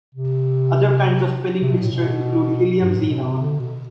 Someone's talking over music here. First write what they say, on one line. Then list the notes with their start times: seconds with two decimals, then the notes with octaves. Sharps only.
Other kinds of Penning mixture include helium-xenon.
0.14 C3
1.62 C3
1.71 B2
1.82 A2
1.92 B2
2.80 G2
2.96 A2
3.10 B2
3.24 C3
3.40 D3
3.60 B2